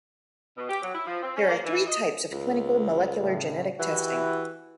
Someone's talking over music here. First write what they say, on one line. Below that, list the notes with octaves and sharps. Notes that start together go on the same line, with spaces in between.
There are three types of clinical molecular genetic testing.
B2
G4
F#3
E4
F3
C4
C#4
A#3
E3
D#5
C#2
A2 C#3
E3 E4 F#4 G4